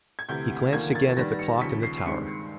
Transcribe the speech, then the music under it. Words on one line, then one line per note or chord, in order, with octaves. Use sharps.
He glanced again at the clock in the tower.
G#6
D2 C3 E3 G6
D#2 D3 F3 A#3 G#6
A6
G2 D#3 G3 B3 A#6
C#7
D#2 C#3 F3 B6
C7
G2 D#3 G#3 C4 C#7